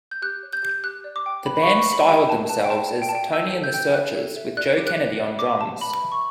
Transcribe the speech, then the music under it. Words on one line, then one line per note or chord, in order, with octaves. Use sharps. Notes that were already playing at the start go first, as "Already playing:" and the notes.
The band styled themselves as 'Tony and the Searchers' with Joe Kennedy on drums.
G6
G4 F#6
C#5
G6
G4
G4 F#6
D5
D6
G5
B4 B5
B5
C#6
B4
C#6
B4 B5
G4 G5
G4 A5
B4 A5
G5
D5 A5
D5
G5
A5
D5 G5
D5 E6
A4
G6
G5
E5 F#6
A4
E5
D5 F#6
G4
F#6
D5
D5
D5 D6
G4 A5
B4 B5
E5
C#6